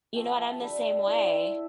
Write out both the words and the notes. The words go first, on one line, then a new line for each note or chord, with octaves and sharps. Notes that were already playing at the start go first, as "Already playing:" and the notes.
You know what? I'm the same way.
F3 A3 C4 G4
G3 D4 G4 B4
C4 E4 A4 D5
E5